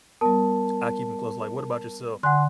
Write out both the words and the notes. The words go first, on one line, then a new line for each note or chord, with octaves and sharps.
I keep 'em close, like What about yourself?
G3 B3 A#4 A5
D3 F#5 G#5 C6 F#6